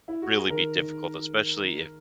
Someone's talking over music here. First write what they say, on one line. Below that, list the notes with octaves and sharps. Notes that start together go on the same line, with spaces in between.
really be difficult, especially if,
E4
F#4
G#4
D#3 A#4
D#3